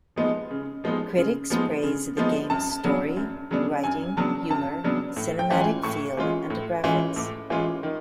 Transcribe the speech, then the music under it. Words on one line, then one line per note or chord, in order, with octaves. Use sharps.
Critics praised the game's story, writing, humour, cinematic feel, and graphics.
F3 G#3 B3 D#4
C#3
F3 G#3 B3 D#4
C#3
F3 G#3 B3 D#4
C#3
F3 G#3 B3 D#4
F#2 A5
C#3 F#3 B3 D4
F#2
C#3 F#3 B3 D4
F#2 G#5
C#3 F#3 B3 D4 A5
F#2 A5
C#3 F#3 B3 D4
A2
G5
E3 G#3 C#4 F4
G#5
A2 C#6
E3 G#3 C#4 F4
A2
E3 G#3 C#4 F4
A2 D6
E3 G#3 C#4 F4
D#3